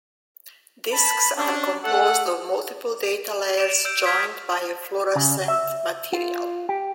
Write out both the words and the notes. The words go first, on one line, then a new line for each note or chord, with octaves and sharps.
Discs are composed of multiple data layers joined by a fluorescent material.
A5 B5
C#4 D4
A3 A4 F#5
D7 E7 F7
E6 G6 D7
D#6 F6 G#6 B6
C#3
E5
F4
G4